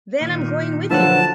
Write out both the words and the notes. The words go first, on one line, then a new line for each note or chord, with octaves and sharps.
Then I'm going with you.
A#2 D#3
D3 F3 F#3 E4 B4 F#5 A5